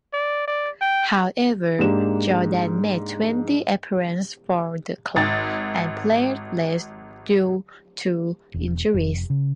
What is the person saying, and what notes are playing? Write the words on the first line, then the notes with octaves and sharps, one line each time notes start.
However, Jordan made twenty-appearance for the club and played less due to injuries.
D5
D5
G5
G#2 A#3 D4 G4 E7
G#1 A6
E1
F1
C#3